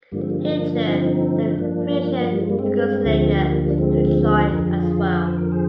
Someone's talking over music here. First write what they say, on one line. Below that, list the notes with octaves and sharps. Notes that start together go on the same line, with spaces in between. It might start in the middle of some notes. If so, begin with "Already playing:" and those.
Hitler then pressured Yugoslavia to join as well.
G2 D3 F3 G3 A#3
G#3 C4
G3 A#3
G#3 C4
A#3 D4
C4 D#4
D#4
G2 F3 A#3 D4
G3 A#3
F3 G#3
G3 A#3
G#3 C4
D2 D3 F3
G3 A#3
D4
G#3 C4
F2 D3 F3 A#4
G#4
G4
F4 G#4
C5
A#4
G#4 C5